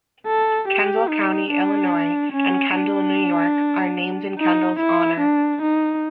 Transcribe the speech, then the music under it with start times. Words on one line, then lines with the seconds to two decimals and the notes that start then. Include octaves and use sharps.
Kendall County, Illinois, and Kendall, New York, are named in Kendall's honor.
0.26 A4
0.68 G4
1.09 D#4
1.50 D4
2.32 C#4
2.74 D4
4.39 D#4
4.79 E4
5.20 D4
5.62 D#4